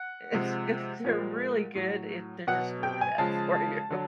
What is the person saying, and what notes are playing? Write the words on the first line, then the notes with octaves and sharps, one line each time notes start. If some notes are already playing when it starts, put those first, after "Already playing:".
It's it's they're really good, it they're just really bad for you.
Already playing: F#5
C3 F3 G#3
A#2 F3 G#3
A2 F#3
B2 F#3 F#5
G5
G#5
C#3 F3 G#3 A5
D3 F#3